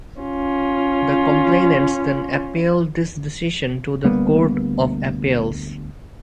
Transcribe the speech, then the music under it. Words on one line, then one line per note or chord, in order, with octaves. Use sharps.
The complainants then appealed this decision to the Court of Appeals.
C#4 F4
D2 G3 A#3 B3